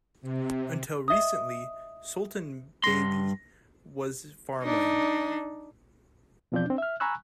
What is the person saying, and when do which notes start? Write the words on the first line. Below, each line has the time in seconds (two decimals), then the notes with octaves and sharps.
Until recently Sultanbeyli was farmland.
0.22 C3
1.08 D#5 E5 D#6
2.84 G2 C6 A#6
4.63 D4 D#4
6.52 E2 B2 F3 C4 D5 G6
6.66 C4 D4
6.78 E5 F6
7.00 G#5 A#5 B5 C#6 E6 F#6